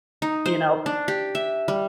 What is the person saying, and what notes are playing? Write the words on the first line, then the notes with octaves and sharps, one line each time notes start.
you know,
D#4
C5
D4
G4
E5
G3